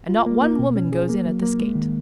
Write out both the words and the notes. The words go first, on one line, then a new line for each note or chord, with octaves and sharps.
And not one woman goes in at this gate.
F4
A#3
A#3
B2
C#4
G#4
A#3
F#3
A#3
G#3
D#3